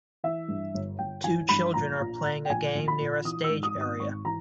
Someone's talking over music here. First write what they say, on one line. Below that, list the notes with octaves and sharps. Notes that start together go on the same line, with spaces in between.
Two children are playing a game near a stage area.
E3 E5
G2
G1
G1 G5
E3 G#5
G2 B5
A#1 A#5
A#2
A#2
G5
A#1 G#5
A#1
B5
A#2
E3 D#6
E6
G#2
D#6
G#1
D#6
G#1 C#6
E3 A#5